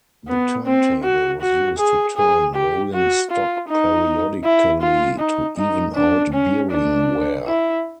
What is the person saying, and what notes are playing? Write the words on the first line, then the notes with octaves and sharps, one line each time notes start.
The turntable was used to turn rolling stock periodically to even-out bearing wear.
B3
C4
F#4
F#4
G#4
G#4
G4
F#4
F4
D#4
E4
F4
D#4
D#4
D4
C#4
D4
E4